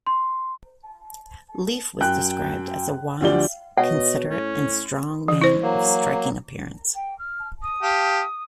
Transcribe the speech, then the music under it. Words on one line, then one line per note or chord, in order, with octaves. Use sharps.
Leif was described as a wise, considerate, and strong man of striking appearance.
C6
F#2 G5 F#6
D2 D3 F3 G4 D5 G7
B2 C#5 D#5 F#5
A2 C#4
E3
E4 C5
F#3 A#3
G5
F6
D#6
G4 F5 A5